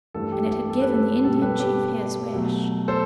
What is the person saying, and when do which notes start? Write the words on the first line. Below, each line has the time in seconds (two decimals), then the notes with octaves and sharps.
And it had given the Indian chief his wish.
0.14 G2 E3 A3 A4
0.32 G4
0.51 G4
0.69 A4
0.81 B4
0.92 A4
1.24 B2 G3 A4
1.42 G4 B4
1.60 G4 B4
2.33 B2 F#3 A3
2.88 A4 C5